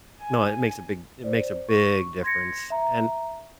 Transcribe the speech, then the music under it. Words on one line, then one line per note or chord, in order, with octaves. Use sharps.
No, it makes a big it makes a big difference, and
G#5
C5 D5
C#6
C6 G#6 A#6 C#7
E5 A#5